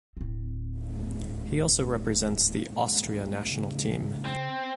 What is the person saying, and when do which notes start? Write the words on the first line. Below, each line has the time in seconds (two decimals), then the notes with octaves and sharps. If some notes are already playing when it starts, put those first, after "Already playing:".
He also represents the Austria national team.
0.17 D1 C4
3.51 C#3
4.25 C4